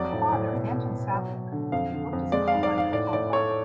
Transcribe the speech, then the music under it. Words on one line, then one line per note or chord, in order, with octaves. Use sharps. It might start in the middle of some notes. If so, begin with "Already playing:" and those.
Her father, Anton Sablich, worked as a coal miner in Colorado.
Already playing: F2 F#3 D5
A2
A2
B2
B2
B2
F#3
F#3
D3
F2 F5
D3
F2
G#3 D5
F5
G#2
D5
G#2
F5
A2 D5
A2 D5
A3 C#5